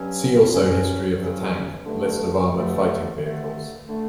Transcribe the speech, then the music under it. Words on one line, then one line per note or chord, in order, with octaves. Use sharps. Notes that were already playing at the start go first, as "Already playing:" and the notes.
See also history of the tank, list of armoured fighting vehicles.
Already playing: G2 F#3 C#4
G2 F#3 C#4
G2 F#3 C#4
G2 D3 A3
G2 D3 A3
G2 D3 A3
D3 A3